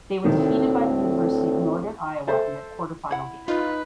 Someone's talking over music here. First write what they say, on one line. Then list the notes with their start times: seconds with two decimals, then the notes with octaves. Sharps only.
They were defeated by the University of Northern Iowa in their quarterfinal game.
0.25 D2 A2 C3 D#3 C4
2.27 A4 C5 E5
3.11 E4 F#5
3.48 D#4 F4 B4